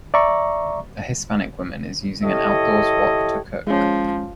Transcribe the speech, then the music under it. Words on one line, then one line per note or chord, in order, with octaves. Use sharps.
A hispanic woman is using a outdoors wok to cook.
D5 E5 A#5 C#6
E4 G4 A4 C#5 D#5
F3 G#3 C#4